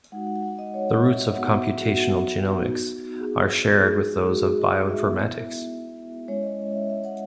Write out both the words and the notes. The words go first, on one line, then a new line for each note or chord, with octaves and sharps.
The roots of computational genomics are shared with those of bioinformatics.
G#3 D#4 F#4 F#5
F#5
F#5
D#5
C#5
E5
B3 D#4 F#4 F#5
E5
E5
F#4
B3 D#4 F#4
G#4
G#3 D#4 F#4 G#4
F#4
G#4
D#5
E5
B3 E4
G#3 C#4 E4 C#5
D#5
E5
E5
F#5